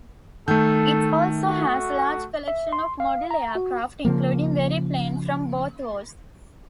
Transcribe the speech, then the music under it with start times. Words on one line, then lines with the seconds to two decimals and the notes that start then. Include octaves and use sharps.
It also has large collection of model aircraft, including every plane from both wars.
0.48 D#3 A3 A4 G6
1.45 F#4
2.48 E5
2.73 C6
3.00 F5
3.31 A#5
3.55 F#4
4.05 C#3 F3 A#3